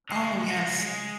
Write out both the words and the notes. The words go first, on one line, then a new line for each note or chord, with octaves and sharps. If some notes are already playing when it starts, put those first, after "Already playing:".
Oh, yes.
D3 G#3
C#3 D#5
G#3